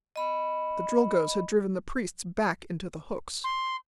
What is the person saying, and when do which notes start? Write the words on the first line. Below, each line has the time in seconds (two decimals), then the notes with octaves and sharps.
The Drilgoes had driven the priests back into the hooks.
0.16 D#5 B5
3.44 C6